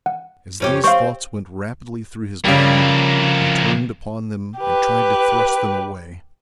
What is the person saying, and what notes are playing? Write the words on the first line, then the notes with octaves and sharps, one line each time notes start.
As these thoughts went rapidly through his mind, he turned upon them and tried to thrust them away.
F#5
F2 C#4 G4
C4 C5 F5 C#6
F2 C#3 G3 A#3
G4 B4